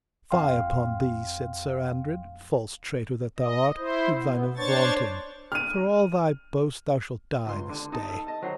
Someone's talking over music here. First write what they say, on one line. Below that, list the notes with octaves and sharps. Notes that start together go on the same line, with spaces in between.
Fie upon thee, said Sir Andred, false traitor that thou art, with thine avaunting; for all thy boast thou shalt die this day.
G1 F2 F5 G5 C6
D#5
E4 C5
B3
D4 C5 C#5 C#6 A6
F6 D#7
C#2 C6
D3
D#4 A5 D#6
A4
D#5 A5
D#3 F#3 F#4 C5